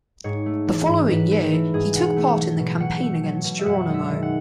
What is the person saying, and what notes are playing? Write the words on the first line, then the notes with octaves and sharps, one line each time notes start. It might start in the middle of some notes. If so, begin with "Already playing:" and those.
The following year, he took part in the campaign against Geronimo.
G#2 C#5
A3
E3
G#2
G#2 B4
A3 B4
E3
G#2 G#4
B2 F#5
A3
F#3
B2
B2 F#5
A3
F#3
B2
E5
F#2 F#5
G#3
E5
D#3
F#5